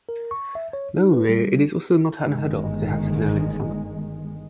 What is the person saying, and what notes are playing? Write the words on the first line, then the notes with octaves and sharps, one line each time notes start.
Though rare, it is also not unheard of to have snow in the summer.
A#4
C#6
E5
C#5
D#4
B4
G3
G1 D#3 G#3